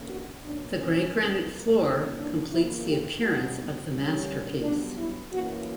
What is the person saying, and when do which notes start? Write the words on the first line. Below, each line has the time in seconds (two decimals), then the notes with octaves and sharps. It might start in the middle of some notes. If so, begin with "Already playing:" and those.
The grey granite floor completes the appearance of the masterpiece.
Already playing: E2 D3 A#3 C#4
0.08 F#4
0.43 B2 F#3 A#3 C#4 D4
0.78 C#4
1.13 F#2 C#3 F#3 B3
1.83 G2 E3 A#3 C#4
2.17 D4
2.52 E2 D3 A#3 E4
2.88 G4
3.22 B2 G3 B3 F#4
3.92 G2 D3 G3 C#4
4.62 G2 F#3 B3 D4
4.97 E4
5.32 F#2 E3 A#3 C#4 F#4